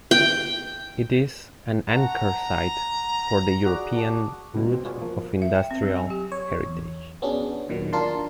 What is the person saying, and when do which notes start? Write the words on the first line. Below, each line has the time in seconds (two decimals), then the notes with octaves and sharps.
It is an anchor site for the European Route of Industrial Heritage.
0.11 G5
1.89 F#5 A5 A#5 C#6
3.65 F#4 G#4 D5
3.96 A5 D6 D#6
4.54 C#2 B2
4.72 B2 C4
4.85 F4 G#4 B4 C#5 D5 F#5
5.01 F3 A#3
5.42 E5
5.55 G5
5.71 C4
5.83 F#3
5.96 G#5
6.10 G4
6.32 C#5
6.66 E2
7.22 B3 C#4 D4 F#4 G#4
7.68 D#2 A#2 D#3 F#3
7.93 D4 F4 A#4 A5 C6